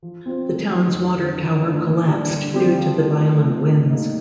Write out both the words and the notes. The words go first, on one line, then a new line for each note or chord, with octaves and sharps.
The town's water tower collapsed due to the violent winds.
F3
C4 F4 C5
A3
D#4 G4
F2
D3 F3
G2
D3 F3 A3 D4
A#2
G3 D4
D3
G3 C4 G4
F3
A3 D4
A3
C4 F4
A2
G3 A#3 D#4